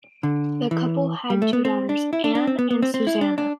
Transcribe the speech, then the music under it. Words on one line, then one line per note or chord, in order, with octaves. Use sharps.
The couple had two daughters, Anne and Susannah.
D3
E3
G3
A3
B3
C4
D4
E4
D4
D4
C4
B3
B3
C4
C4
E4
D4
D4